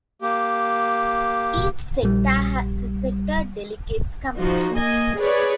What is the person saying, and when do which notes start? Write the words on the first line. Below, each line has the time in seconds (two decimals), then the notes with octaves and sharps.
Each sector has a sector delegates’ committee.
0.22 A#3 G4
2.02 A#1 G3
4.36 F3 D#4 F#4
4.74 A#3 D#5 G#5
5.18 G#4 B4 C#5 D5